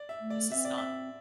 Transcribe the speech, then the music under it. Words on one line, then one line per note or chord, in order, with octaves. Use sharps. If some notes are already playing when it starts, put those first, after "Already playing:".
This is not
Already playing: D5
E5
A3
D5
C4 E5
D5
E5